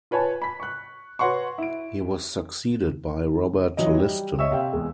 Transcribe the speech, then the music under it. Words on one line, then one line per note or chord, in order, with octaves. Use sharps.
He was succeeded by Robert Liston.
F4 B4 C#5 G#5 A5
B5 B6
C#6 F#6
F#4 B4 C#5 F#5 C6 C#6
E4 D7
E3 F#3 E4 D#5
G3
C#5 D#5 E5 C#6 E6
C3 F5 G5
E2 G#3